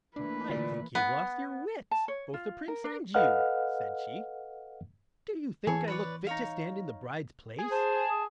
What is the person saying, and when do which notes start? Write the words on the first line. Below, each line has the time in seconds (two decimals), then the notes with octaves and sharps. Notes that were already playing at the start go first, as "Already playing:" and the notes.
'I think you've lost your wits, both the Prince and you', said she. 'Do you think I look fit to stand in the bride's place?
0.16 E3 A3 A#3 D4 B4
0.50 D3 F4 D5
0.95 B3
1.91 A5
2.08 C#5
2.34 F4
2.68 A#4
2.84 D4
3.14 A4 B4 D#5 F5 F#5 F6
5.67 E3 G#4 A4 C#5
5.88 B4 C#5 D5
6.27 D#4 C#5 F5
7.59 G#4
7.71 C5 A5
8.10 G#4